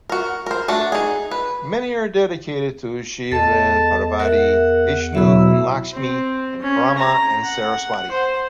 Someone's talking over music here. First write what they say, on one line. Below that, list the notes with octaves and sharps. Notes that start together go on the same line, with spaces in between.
Many are dedicated to Shiva and Parvati, Vishnu and Lakshmi and Brahma and Saraswati.
F#4 A#4
A#4 C5
A3 D4 F#4
D#4 G#4
B4
E2 A4 D#5 A5
A#4 E5 F#5
B2 F#3 E4 E5 E6
C4
C#4
A#5
F#5
C5